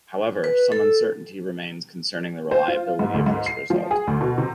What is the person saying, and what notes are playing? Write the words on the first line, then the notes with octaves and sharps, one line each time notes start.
However, some uncertainty remains concerning the reliability of this result.
B4
A4
C5
F4
G#2
D2
G#2
C7
F3
G#4
D2
B2
C3